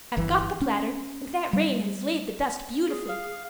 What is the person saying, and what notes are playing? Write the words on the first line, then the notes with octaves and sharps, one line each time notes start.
I've got the platter, and that rain has laid the dust beautifully.
G1 E3
C#4
G3
G#4
F5